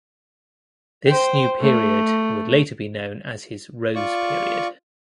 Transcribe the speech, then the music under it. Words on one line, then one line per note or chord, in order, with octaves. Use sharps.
This new period would later be known as his Rose Period.
C5 G5
A3
F4 D5 C#6